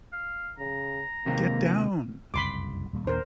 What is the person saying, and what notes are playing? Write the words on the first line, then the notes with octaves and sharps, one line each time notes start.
Get down!
F5
C#3 A#5
D#2 C3 A#3
F#1 C2 F2 B5 C6 D6
D#1 G3 A#3
D#2 A#2 D4 A#4 C5